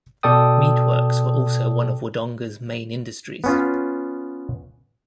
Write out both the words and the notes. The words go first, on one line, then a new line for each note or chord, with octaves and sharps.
Meatworks were also one of Wodonga's main industries.
B2 A4 D5 G5 D#6
B3 C#4 F4